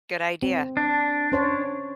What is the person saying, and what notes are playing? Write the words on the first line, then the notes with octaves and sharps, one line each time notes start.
Good idea.
C4
D4
C#4 C5 C#5